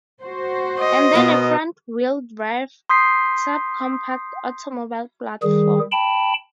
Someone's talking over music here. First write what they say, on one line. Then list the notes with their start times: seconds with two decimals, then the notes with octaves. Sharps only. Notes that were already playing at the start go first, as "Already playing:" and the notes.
And then a front-wheel drive subcompact automobile platform.
0.25 F#4 C5
0.79 D#5
1.14 B2 B3 A#4
2.89 C6 D#6 G6 B6 C7
5.43 D#3 G3 G#4
5.92 G5 A5 B5